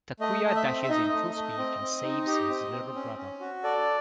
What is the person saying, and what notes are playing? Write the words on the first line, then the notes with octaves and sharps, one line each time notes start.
Takuya dashes in full speed and saves his little brother.
A3 D#5
A3 D#5
E5
C4
E5
D#4 D#5
A3
A3
C4
C4
D#4
G4
C4
C4
C#4
C#4
F#4
A4 D5